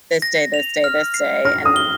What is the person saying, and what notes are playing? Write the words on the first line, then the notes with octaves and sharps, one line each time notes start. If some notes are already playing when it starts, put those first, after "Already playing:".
this day, this day, this day," and
A#6
F7
F6
C7
F6 A#6
D#6
G7